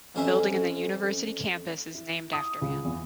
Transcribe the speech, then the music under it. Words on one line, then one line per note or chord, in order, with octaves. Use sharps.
A building in the university campus is named after him.
A1 F2 C#4 C5 E5
E4
D#6
C#2
E2